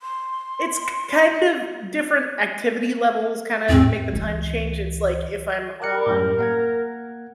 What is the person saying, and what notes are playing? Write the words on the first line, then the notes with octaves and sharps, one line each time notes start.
It's k kind of different activity levels kinda make the time change. It's, like, if I'm on
C6
E2 A2 C4
C#2 E3
A#4 D6 F#6 C#7
F#2 A2
A#3 F#5 G#6